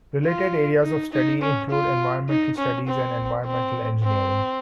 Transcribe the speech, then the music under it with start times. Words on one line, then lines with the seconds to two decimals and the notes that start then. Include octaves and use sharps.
Related areas of study include environmental studies and environmental engineering.
0.25 F4
0.83 D#4
1.12 D#4
1.42 C#4
1.70 F4
2.29 D#4
2.58 C#4
2.87 C4
3.45 C4
4.03 C4